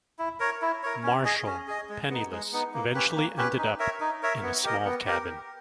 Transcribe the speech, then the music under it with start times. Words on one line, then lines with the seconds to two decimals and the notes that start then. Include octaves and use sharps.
Marshall, penniless, eventually ended up in a small cabin.
0.19 E4
0.40 A#4 C#5
0.62 E4
0.83 A#4 C#5
1.03 C#4
1.25 G#4 D#5
1.47 C#4
1.68 G#4 D#5
1.89 G#3
2.10 B3 D#4
2.32 G#3
2.52 B3 D#4
2.74 A#3
2.95 C#4 G4 B4
3.15 A#3
3.37 C#4 G4 B4
3.58 D#4
3.79 A#4 C#5 E5
4.00 D#4
4.23 A#4 C#5 E5
4.43 B3
4.64 G4 A#4 D#5
4.85 B3
5.07 G4 A#4